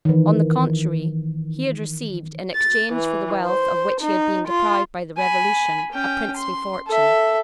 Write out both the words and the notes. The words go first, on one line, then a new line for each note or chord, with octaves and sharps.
On the contrary, he had received, in exchange for the wealth of which he had been deprived by the revolution, a princely fortune.
D#3 E3
A6
E3
C5
D#4
F4
G#5 B5
C#4 G5
C6
A4 E5